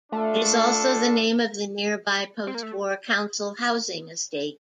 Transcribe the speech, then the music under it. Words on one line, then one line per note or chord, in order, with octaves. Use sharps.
It is also the name of the nearby post war council housing estate.
A3 D4 F4 A4
C4
A#3
A3